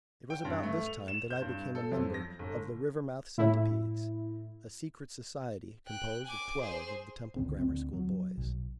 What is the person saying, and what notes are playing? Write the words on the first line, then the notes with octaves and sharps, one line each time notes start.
It was about this time that I became a member of the Rivermouth Centipedes, a secret society composed of twelve of the Temple Grammar School boys.
G5
G2
A3
F7
E7
G6
G2
A4
F2
A#6
G1
A2 E4
G5 F#6
G#5 D6
G#4 C5
C#2 D3 C4
D2 C4
F#3
B1